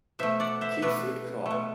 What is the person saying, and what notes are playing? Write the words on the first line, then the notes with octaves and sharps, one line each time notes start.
Key Food Coop.
B2 A3 C5 E5
D5 F#5
C5 E5
E5
B2 A3 B4 D5
B2 A3